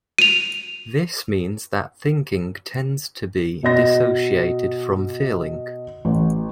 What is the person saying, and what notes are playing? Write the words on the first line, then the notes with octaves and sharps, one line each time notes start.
This means that thinking tends to be dissociated from feeling.
D#7 F7
B2 D#5 A#6
A1